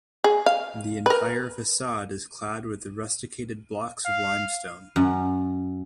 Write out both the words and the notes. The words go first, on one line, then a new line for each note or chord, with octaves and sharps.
The entire facade is clad with rusticated blocks of limestone.
G#4
F5
A#4 B4
F5
F#2